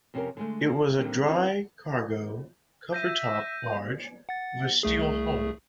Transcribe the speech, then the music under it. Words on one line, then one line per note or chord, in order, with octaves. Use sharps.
It was a dry cargo cover-top barge with a steel hull.
F2 C3 C#4 D#4 G4 A#4
D3 G#3 A3
F3
D3 D#3 G3 A#3 C4 D4
C4 C#4 E4 F#4 A#4 B4
E5 G6 A#6 D#7
F#5 A6
C2 A3 G#4